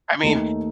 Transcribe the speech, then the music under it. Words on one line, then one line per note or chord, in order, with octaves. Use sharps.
I mean,
D#2 D#3 A3 D#4